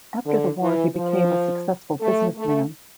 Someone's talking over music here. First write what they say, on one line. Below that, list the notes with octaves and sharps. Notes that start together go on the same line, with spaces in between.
After the war, he became a successful businessman.
D3
E3
F3
A3
A3